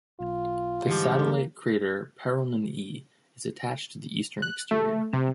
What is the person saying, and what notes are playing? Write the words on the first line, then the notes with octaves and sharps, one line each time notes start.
The satellite crater Perel'man E is attached to the eastern exterior.
B1 F4
G#2 D3 E3 F3 G3 G4
A#3
F#6
A3
C3